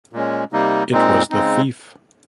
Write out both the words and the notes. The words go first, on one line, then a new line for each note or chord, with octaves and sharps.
It was the thief.
A#2 G#3 C#4
C3 G3 A#3 D#4
A#2 G#3 C4 D#4
C#3 G#3 C4 D#4